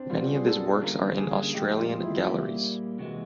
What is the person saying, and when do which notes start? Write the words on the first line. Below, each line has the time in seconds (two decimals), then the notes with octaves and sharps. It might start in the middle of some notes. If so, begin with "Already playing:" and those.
Many of his works are in Australian galleries.
Already playing: C4 D4
0.10 B2 G3 B3 F4
0.34 G#4
0.46 A4
0.82 D3 G3 A#3 C#4 F4 A#4
1.18 G#4
1.54 A2 F3 G#3 G4
1.78 F4
2.03 E4
2.26 A#2 G3 A#3
2.98 C3 E3 G#3 F#4